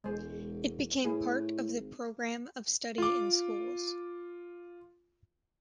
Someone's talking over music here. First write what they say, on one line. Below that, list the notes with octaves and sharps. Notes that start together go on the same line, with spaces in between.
It became part of the program of study in schools.
E1 G#3 C5
A2 G#4 B4
G#1
F4 D6